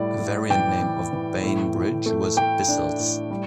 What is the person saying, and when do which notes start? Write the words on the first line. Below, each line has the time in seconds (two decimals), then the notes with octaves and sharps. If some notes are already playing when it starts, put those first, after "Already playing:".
A variant name of Bainbridge was "Bissells".
Already playing: A2 G3 D5
0.19 A2
0.50 E3 G5
0.81 E3
1.13 E3
1.44 A2
1.75 A2
2.06 A3
2.37 A3 G5
2.68 D4
2.99 A2
3.31 G3